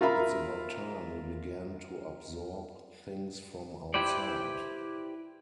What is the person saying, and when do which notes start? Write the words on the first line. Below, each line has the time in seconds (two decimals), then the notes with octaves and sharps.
It's about time we began to absorb things from outside.
0.01 F4 A#4 E5 A#5 B5
3.94 E4 G4 B4 C5 D5